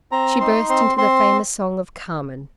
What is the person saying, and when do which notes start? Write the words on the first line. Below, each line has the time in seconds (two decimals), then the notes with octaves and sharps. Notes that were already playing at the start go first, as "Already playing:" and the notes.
She burst into the famous song of CARMEN.
0.12 C4 A#5
0.41 D#4 C6
0.69 C4 C6
0.97 C4 C6